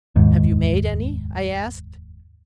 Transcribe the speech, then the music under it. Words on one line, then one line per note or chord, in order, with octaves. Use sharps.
"Have you made any?" I asked.
F1 D#2 G#2